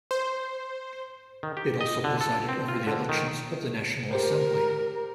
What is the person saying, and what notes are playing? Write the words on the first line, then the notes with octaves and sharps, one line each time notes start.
It also presided over the elections of the National Assembly.
C5
D#3
G4
D#5
D3
A4
C4
F4
D3
D#3
G4 A#4 C5